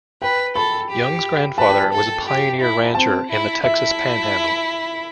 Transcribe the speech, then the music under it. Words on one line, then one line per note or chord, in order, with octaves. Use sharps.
Young's grandfather was a pioneer rancher in the Texas Panhandle.
B4 G5
A4 B5
G4
B4 A5
G5
A5
A4
G4
E4
C4 A5
E4
E4 E5